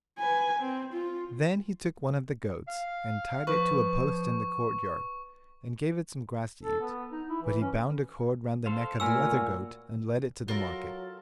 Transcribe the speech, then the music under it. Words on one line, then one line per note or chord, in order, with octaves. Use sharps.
Then he took one of the goats and tied it to a post in the courtyard, and gave it some grass to eat; but he bound a cord round the neck of the other goat and led it to the market.
B4 G#5
C4
F4
F5
F3 B4 C#6
A4
B3
D#4
E4
E3
C#4
A4 C5 F5
A#2 A3 F#4 B4 C#5 G#5 E6 F6
F#3 F4 A4 A#4